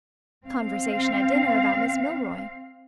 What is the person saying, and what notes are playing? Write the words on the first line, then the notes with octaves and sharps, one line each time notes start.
Conversation at dinner about Miss Milroy.
C4 F5